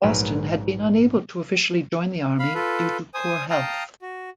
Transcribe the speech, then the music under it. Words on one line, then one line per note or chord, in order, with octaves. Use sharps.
Boston had been unable to officially join the Army due to poor health.
A#1 G#2 F#3 A#4 B4
F5 B5
F4 A4 B4
C5 G#5 D#6
F5 G5 A5 A#5 D#6
F#4